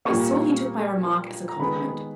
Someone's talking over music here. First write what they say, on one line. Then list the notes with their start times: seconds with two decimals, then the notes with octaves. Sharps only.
I saw he took my remark as a compliment.
0.05 A#2 G3 A#3 C#6
1.49 A#5
1.59 D#3 G#3 B3 B5